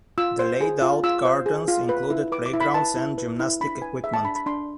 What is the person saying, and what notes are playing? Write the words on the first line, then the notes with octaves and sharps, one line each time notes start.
The laid out gardens included playgrounds and gymnastic equipment.
F4 E6
C5
G#4
F4
F4 E6
C5
G#4
F4
B4
E4
B4 D6
D6
E4
B5
B4 A5
E4
B4
E4
D4 B5
B4 G#5
G#4 E5
A5
D4 B5
B5
D4 C6